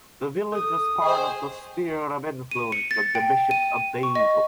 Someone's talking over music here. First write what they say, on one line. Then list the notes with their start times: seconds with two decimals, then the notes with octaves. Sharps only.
The village was part of the sphere of influence of the bishop of Basel.
0.52 A4 D#6
1.02 G#4 C5 D#5 G5 C#6
2.51 D#7
2.72 C#7
2.91 A6
3.15 G5
3.51 D#7
4.03 C#6
4.15 D#5